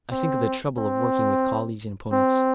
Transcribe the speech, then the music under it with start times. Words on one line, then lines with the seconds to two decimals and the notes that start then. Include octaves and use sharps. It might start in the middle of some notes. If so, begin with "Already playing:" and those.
I think of the trouble of working with colleagues and opponents.
0.11 C4
0.77 C4
2.12 C4